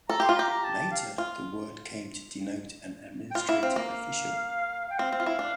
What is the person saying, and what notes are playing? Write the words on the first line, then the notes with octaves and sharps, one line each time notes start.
Later the word came to denote an administrative official.
A4 A#5
G4 C6
F4
G4 A#5
A#5
A5
F5
F4
G5
F4 F5
E4
C4 F5
A#3
G5
C4 F5
C4
F4
E4
D4